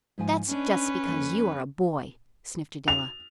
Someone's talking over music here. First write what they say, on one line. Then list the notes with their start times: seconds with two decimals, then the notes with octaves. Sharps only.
"That's just because you are a boy," sniffed Adela.
0.18 G#2 F3 G#5
0.49 C#4 D4 B4 D#5
1.05 F2 A#3
2.88 F7